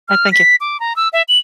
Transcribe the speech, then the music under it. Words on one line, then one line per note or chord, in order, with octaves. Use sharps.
I think it
F6
B6
D6
A#5
E6
E5
F#7